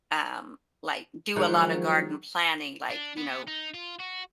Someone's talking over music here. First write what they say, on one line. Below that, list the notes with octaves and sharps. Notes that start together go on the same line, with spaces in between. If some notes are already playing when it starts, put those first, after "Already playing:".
um, like, do a lotta garden planning, like, you know,
D#3 F3 F#3 G#3
D4
B3
D#4
F4
F#4